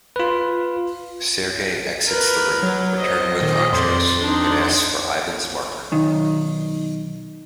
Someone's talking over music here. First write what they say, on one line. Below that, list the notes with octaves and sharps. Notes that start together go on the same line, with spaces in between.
Serge exits the room, returning with the Antrios, and asks for Yvan's marker.
F4 B4
A#4 B4
F#3
C5 D#5
A#2 D#3
F2 C4 D5 C6
D4 D#4
B1 D#3